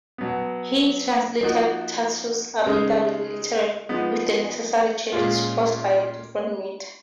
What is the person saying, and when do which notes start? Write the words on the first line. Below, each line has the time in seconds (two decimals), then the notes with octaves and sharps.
He translated Tasso's "Aminta" literally, with the necessary changes forced by a different meter.
0.18 B2 F#3 B3
1.42 F3 A#3 D#4 F#4
2.66 C#3 G#3 D#4
3.89 F3 G#3 B3 D#4
5.12 A#2 G#3 C#4 F4